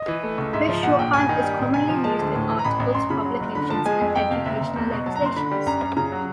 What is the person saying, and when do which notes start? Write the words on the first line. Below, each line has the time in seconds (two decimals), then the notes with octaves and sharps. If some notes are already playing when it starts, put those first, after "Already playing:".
This shorthand is commonly used in articles, publications and educational legislations.
Already playing: D#5
0.08 E3
0.23 A3
0.38 C#2
0.53 G#2 E5
0.69 F3
0.83 A#1 F#5
0.98 A#1 G5
1.13 G2 G#5
1.29 D#3
1.44 G3
1.59 A1
1.74 C3 G#5
1.89 F3
2.04 G#3 A5
2.19 D2
2.35 A2
2.49 E3
2.59 A#5
2.64 A1 B5
2.80 A1
2.95 F#2 C6
3.10 C#3 B5
3.25 F#3
3.40 F#1
3.55 D3 B5
3.70 F3 A5
3.86 G#3 G#5
4.01 F2
4.16 F2 G5
4.31 C3 F5
4.45 F#1 E5
4.60 F#1
4.76 E2
4.91 B2
5.06 F#3 A5
5.16 A#5
5.21 F#1 C6
5.36 D3 B5
5.51 G3
5.67 F#2 A#5
5.81 F#2
5.97 C#3 A#5
6.12 F#3